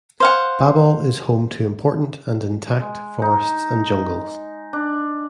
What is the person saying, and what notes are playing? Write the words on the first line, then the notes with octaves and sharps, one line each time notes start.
Babol is home to important and intact forests and jungles.
C5 F5 F#5
G#3
D#4
D4